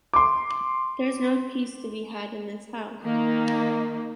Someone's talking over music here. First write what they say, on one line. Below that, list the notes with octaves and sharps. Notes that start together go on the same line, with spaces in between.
There’s no peace to be had in this house!
C6 D6
D#3 A#3